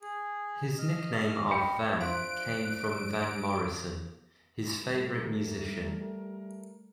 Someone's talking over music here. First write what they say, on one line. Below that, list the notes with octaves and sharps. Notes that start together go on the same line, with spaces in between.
His nickname of "Van" came from Van Morrison, his favourite musician.
G#4
D#5 F6
G5 B5 C#7
F3 D4 E5 F5 C6 F#6 D7
G3 A3 A#4